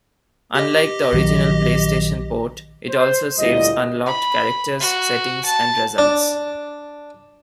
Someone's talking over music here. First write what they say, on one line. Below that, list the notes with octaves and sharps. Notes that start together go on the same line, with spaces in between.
Unlike the original PlayStation port, it also saves unlocked characters, settings and results.
G4 D#5
A#1 D#3 F#3
C5
D2 A#2 G3 E4 D#5
B5
F#4
A5
D4